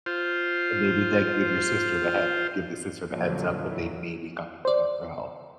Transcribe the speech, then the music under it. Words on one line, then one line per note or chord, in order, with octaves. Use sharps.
And maybe then give your sister the head give the sister the heads-up that they may be coming to them for help.
F4 C5
A#2 D3 F3 F#3 A#3
E3 F#3
C5 D5